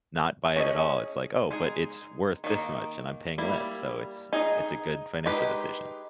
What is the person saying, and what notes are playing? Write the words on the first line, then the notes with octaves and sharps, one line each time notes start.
not buy it at all, it's like, "Oh, but it's worth this much, and I'm paying less, so it's it's a good financial decision."
C#4 G#4 D#5
G#3 D#4 G#4
D#3 A#3 D#4
G3 A#3 E4
D#4 G#4 D#5
G#3 D#4 G4 B4